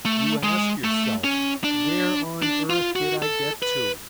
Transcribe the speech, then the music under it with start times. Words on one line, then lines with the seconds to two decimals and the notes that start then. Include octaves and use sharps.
You ask yourself, Where on earth did I get to?
0.05 A3
0.44 G#3
0.84 A3
1.24 C#4
1.64 D4
2.42 D4
2.70 F4
2.96 F#4
3.22 A4
3.62 B4